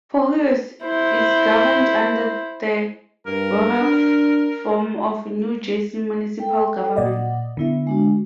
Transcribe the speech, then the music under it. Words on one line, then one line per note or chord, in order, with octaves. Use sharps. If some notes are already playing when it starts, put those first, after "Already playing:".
Far Hills is governed under the Borough form of New Jersey municipal government.
E4 C5
G2 A#4
D4
A4 G5
A#2 D5 D#5 F#5
D3 B3 E4 E5
G#3 D4 F#4